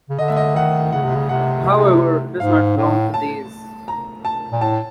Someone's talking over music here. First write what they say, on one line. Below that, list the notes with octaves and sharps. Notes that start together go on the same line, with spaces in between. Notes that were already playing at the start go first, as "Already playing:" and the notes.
However, does not belong to these.
C#3
D3 D#5
E5
D#5
D#3 F#5
C#3 F#5
C3
C#3
C3 F#5
G#2 F5
A2
A5
A#5
A5
A#2
A2 A5